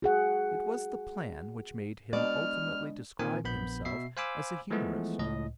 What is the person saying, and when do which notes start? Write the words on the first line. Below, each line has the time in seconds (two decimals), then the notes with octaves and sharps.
It was the plan which made him ultimately describe himself as a humorist.
0.02 F#4 G#4 F#5
2.13 B2 G#3 D4 D5 F6
3.19 A#2 D#3 C4 A#4 G#5
3.44 A#1 B3 B5 G6
3.85 B2 E5 C7
4.17 C5 F5 G#5 B5 D6 E6
4.70 E3 F3 G#3 A3 B3
5.19 C#2 A2 D#5